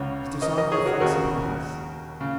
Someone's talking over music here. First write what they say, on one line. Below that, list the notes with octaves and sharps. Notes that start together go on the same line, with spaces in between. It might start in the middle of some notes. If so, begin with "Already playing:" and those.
"His dishonor reflects upon us."
Already playing: C#2 C#3 C#5 F#5
A#4 D#5
A#4 D#5
G#4 C#5
F#4 A#4
D#2 C#3 F#4 A#4
C#3